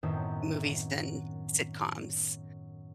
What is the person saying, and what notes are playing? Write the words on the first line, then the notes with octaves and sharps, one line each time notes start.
movies and sitcoms.
F#2 A2 D#3 B3 C4